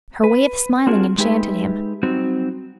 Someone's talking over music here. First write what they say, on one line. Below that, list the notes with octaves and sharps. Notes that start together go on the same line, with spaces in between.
Her way of smiling enchanted him.
B4
C4 D4 F4 F#4 G#4 A#4
G#3 D#4 G4 G#4 B4 E5
F#3 G3 C4 D#4 F#4